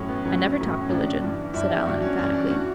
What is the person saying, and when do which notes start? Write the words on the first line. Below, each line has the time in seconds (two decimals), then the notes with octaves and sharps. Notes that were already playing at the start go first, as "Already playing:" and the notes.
"I never talk religion," said Alan emphatically.
Already playing: A2 F#3 C#4
0.08 B3
0.24 A2 F#3 C#4
0.57 A2 F#3
0.81 C#4
0.89 A2 F#3 D4
1.22 G2 E3
1.54 G2 E3 E4
1.70 G4
1.86 G2 E3 F#4
2.02 C#4
2.18 G2 E3 C#4
2.34 D4
2.50 E3 F#4